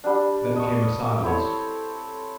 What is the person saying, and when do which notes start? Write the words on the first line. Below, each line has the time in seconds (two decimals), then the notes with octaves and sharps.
Then came a silence.
0.04 G3 D4
0.56 D#5 A5 C#6
1.23 C4 E4 A4 C#5